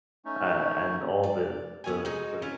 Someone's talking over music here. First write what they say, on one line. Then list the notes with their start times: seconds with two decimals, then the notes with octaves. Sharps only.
uh, and all the the sort of
0.25 A3 C#4 D#4
1.24 D5
1.84 B3 C#4 G#5
2.05 G#3 D#4 F#4
2.42 C#4 E4 F4 A#4